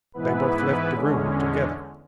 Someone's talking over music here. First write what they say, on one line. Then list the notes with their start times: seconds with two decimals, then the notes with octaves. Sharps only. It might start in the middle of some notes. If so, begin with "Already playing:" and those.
They both left the room together.
0.13 G#2 E3 B3 E4 B4
0.90 E2 D3 G#3 C#4